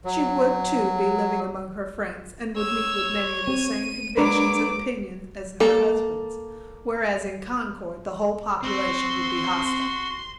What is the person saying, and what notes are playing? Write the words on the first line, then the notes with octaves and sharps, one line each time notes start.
She would, too, be living among her friends and would meet with many of the same convictions and opinions as her husband's, whereas in Concord the whole population would be hostile.
F#3
C#5 E6
C4 D#7
F#3 G#3 A#3 D4 A#4 B4 D6
A#3 A4
C4 F#4 C6 C7